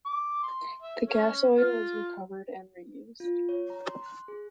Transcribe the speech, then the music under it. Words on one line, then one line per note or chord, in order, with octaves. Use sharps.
The gas oil is recovered and re-used.
D6
C6
E5
C#4
F4
F4
C#5
A#5
C6
F#6
G#4